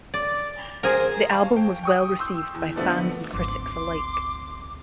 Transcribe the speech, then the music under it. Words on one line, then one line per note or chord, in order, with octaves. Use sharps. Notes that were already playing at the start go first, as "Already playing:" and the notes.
The album was well received by fans and critics alike.
D5
G#4 A#4 C5
F5 A5 C#6
G5
G5 C#6 D#6
C6 E6 G6
E2
D3 F3 A3 B3 C4 D4
G#1 D2 C6 D6